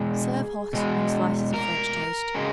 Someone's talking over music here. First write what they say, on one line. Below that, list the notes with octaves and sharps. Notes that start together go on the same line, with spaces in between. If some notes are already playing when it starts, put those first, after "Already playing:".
Serve hot on slices of French toast.
Already playing: B2 G#3 G#4
B2 G#3
A#4
C#3 G#3